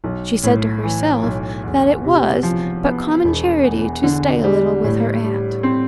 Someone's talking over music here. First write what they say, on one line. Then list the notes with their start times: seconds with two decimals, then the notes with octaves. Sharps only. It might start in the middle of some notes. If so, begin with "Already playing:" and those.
She said to herself that it was but common charity to stay a little with her aunt.
0.04 B1
0.43 A2
0.84 E3
1.23 B1
1.64 E2
2.04 C3
2.43 F3
2.84 B3
3.24 E1
3.63 E2
4.04 D3
4.44 G3
4.84 A2
5.24 G3
5.63 C4